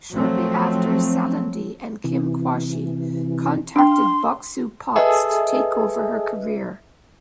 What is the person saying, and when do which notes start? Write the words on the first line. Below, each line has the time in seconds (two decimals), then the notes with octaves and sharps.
Shortly after, Salandy and Kim Quashie contacted Boxu Potts to take over her career.
0.13 F3 F#3 A3 C4
2.04 C3 E3
3.76 D4 F5 G5 C6
4.96 G#4 A4 B4 D#5 E5